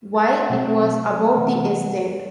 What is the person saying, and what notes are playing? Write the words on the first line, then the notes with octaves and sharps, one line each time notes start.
Why, it was about the estate.
A5
G5
F#5
B2 F#3 C4 E5
C3 E3 A3 F#5